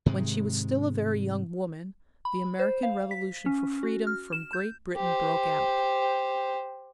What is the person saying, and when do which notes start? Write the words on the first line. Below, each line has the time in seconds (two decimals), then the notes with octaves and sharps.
When she was still a very young woman the American Revolution for freedom from Great Britain broke out.
0.06 G#2 C3 D#3 G#3
2.25 B5
2.59 C5
2.83 F5
3.11 B6
3.46 C#4
3.83 F#4
4.07 F6
4.33 E7
4.53 G6
4.97 G4 C5